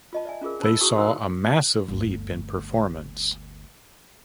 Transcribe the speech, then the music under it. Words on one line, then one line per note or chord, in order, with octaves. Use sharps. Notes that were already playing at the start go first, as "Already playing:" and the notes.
They saw a massive leap in performance.
F4 D#5 A5
D5 E5 G#5
C#4 F4 G#4 A#4
C#4 C5 A5 B5 E6
E4 F#4 G#4 G5 C#6 D#6
D#4 A#4 C5 F5 D#6 E6
G1 D2